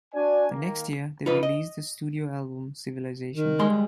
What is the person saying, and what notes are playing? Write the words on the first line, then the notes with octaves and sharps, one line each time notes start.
The next year, they released the studio album "Civilization".
D4 F#4 D5 G#5
D#3 A#3
D#4 F4 B4
D#5
D#3
G3 G#3 C6